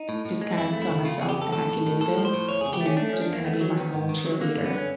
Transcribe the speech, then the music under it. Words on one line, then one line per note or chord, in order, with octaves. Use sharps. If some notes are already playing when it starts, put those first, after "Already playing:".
just kinda tell myself that I can do this and just kinda be my own cheerleader.
Already playing: D#4
A2
A2
G#3
F2 E4
A3
E4
C#3
C#3 F4
C#3 G#4
G4
F2 A4
A2 A4
A2
A2
A2 A4
F3
C5
A2
E2 C#5
C#3 G#4
G4
A3
C#4
A3 D4
F3 C#4
D4
E2 A#3
A3 B3
F#3
D#3
G#2
D#3
F#3
D3 A#3
G2
B3
D3 C#4